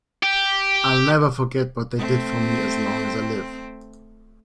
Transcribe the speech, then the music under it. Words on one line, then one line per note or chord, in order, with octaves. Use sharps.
I'll never forget what they did for me, as long as I live.
G4
A3 C4